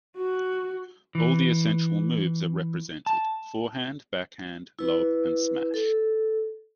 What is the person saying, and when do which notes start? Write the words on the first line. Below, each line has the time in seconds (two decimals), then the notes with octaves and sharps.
All the essential moves are represented: forehand, backhand, lob, and smash.
0.17 F#4
1.15 E3
3.06 A5
4.79 E4 B4
5.74 A4